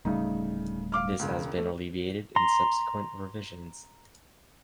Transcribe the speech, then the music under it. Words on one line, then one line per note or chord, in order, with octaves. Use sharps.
This has been alleviated in subsequent revisions.
D1 C#3 G3 A3 D#4
F5 D6 F6
E1 C#2
A3
A#5 C6